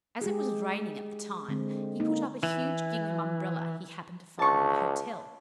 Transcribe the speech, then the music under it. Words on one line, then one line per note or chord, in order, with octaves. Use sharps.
As it was raining at the time, he put up a huge gingham Umbrella he happened to find in the hotel.
G#3 G4 G#4
D3 G#3 C4
A#3 D#4
E3
C#2 A5 C#6